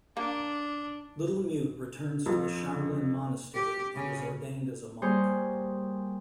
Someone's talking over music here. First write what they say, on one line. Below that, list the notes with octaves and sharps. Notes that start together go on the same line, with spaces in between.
Little Mute returns to the Shaolin monastery and is ordained as a monk.
A#3 D4
F2 F3
G4
C#3
G3 A#3 G#4 C5 C#6